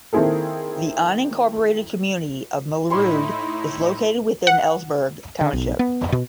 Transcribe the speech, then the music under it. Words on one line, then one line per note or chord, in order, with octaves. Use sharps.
The unincorporated community of Melrude is located within Ellsburg Township.
D#3 A#3 C4 E4 G#4 A4
A2 D#4 E4 C#5 B5 C6
F#5
D3
B1
B3
B2